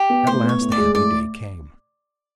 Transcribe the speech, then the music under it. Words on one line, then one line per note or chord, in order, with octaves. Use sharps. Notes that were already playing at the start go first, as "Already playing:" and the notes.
At last the happy day came.
Already playing: G4
B3
A2 C5
B3
C#5
A2
D5
G#3
A2 D5